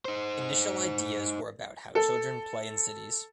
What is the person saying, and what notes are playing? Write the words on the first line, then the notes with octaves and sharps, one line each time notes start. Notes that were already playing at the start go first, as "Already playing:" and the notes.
Initial ideas were about how children play in cities.
D#4 C5
A4